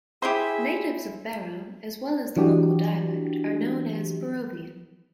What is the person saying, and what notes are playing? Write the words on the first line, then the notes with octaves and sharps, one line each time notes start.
Natives of Barrow, as well as the local dialect, are known as Barrovian.
E4 G4 G#4 C5 E5 G#5 C6
E3 F#3 D4 F#4 G4